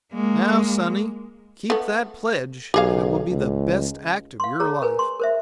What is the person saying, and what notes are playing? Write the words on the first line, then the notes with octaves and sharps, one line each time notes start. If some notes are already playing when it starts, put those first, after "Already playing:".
"Now, Sonny, keep that pledge and it will be the best act of your life."
G#3 A#3
A3 B3
B1 G4 G#4 F5
C#2
F5 C6
G#4 C#5 A#5
A#4 B4 G#5
C6
A#4 C5 E5